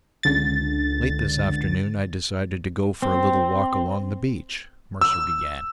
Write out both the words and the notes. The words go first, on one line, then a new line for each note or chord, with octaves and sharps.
"Late this afternoon I decided to go for a little walk along the beach," Mercer began.
C#2 D3 A6
C4
E6